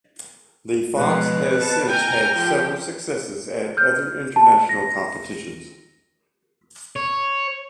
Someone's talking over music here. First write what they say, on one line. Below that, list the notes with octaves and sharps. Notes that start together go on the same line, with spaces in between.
The Fox has since had several successes at other international competitions.
B2 F3 G#3 B4
B2 A5
G5 G#5 A#5 F6
F3 G4
F6 G6
A5
A#6
C#5